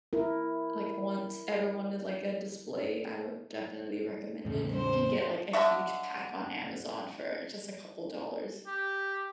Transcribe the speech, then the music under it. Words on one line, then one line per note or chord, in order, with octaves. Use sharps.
like, want ever wanted, like, a display, I would definitely recommend it. And you can get, like, a huge pack on Amazon for just a couple dollars.
E4 A#4
E2 A2 C#3
C5
D3 D#5 E5 C#6
G4